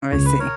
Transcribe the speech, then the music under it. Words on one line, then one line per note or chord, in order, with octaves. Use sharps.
I see.
C#2 C#5
B4
A#4 C#5